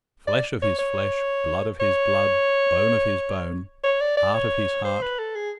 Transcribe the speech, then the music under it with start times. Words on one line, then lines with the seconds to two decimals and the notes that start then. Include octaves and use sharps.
Flesh of his flesh, blood of his blood, bone of his bone, heart of his heart.
0.27 D5
0.62 C#5
0.79 C#5
1.80 C#5
3.83 C#5
4.01 D5
4.17 D5
4.34 C#5
4.85 C5
5.02 B4
5.19 A4
5.35 G#4